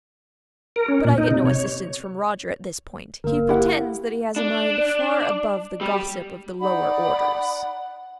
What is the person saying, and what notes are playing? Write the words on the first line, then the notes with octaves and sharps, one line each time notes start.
But I get no assistance from Roger at this point; he pretends that he has a mind far above the gossip of the lower orders.
A#4
C#4
A#2
D#4
C3
C#5
G1 A#3 A#4
E4 G4 F#5
D4
G3
D#4 D5 F#5 B5